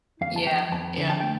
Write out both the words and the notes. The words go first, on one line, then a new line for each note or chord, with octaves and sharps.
Yeah, yeah.
F2 F5
A5
F3 G5
F2 A5
D3
A5
A3 G5